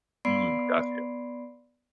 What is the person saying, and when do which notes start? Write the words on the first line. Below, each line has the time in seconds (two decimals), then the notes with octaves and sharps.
Mm, got you.
0.25 B3 D5 B5 C6 C7 D7